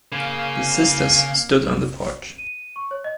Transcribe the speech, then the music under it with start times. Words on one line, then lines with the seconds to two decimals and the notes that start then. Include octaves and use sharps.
The sisters stood on the porch.
0.12 C#3 A#3
2.38 D#7
2.76 C#6
2.91 C#5
3.04 D#5